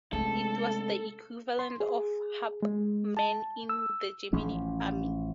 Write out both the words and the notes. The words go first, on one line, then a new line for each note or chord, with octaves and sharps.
It was the equivalent of a "Hauptmann" in the German army.
C3 G#3 A3 C#4 A4
C6
G#4
G#3
A5
E6
A1 F3 C#4